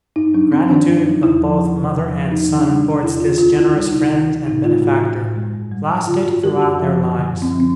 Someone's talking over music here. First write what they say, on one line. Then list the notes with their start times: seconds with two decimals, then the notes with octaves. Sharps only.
The gratitude of both mother and son towards this generous friend and benefactor lasted throughout their lives.
0.16 G2 D#4
0.34 F#3 D4
0.52 G2 C4
0.69 D#3 D4
0.87 G2
0.97 D#4
1.06 F#3
1.23 E2 E4
1.41 F3
1.59 E2
1.78 C3
1.96 E2
2.13 F3
2.31 E2 D#4
2.49 D#3
2.58 D4
2.68 G3
2.85 C3
3.02 E2 E4
3.20 D#3 F4
3.38 D2 F4
3.56 E3 E4
3.74 G3 D#4
3.92 C3 D#4
4.11 D2
4.29 E3
4.46 A2 D#4
4.64 G#3 F4
4.82 A2 F#4
5.00 E3
5.18 A2
5.36 G#3
5.54 G2
5.72 G3
5.90 G2
6.07 D3 F4
6.25 G2 F#4
6.44 G3 G4
6.61 F#2 F#4
6.79 F3
6.98 F#2
7.15 D3
7.33 F#2
7.42 C4
7.51 F3
7.60 C4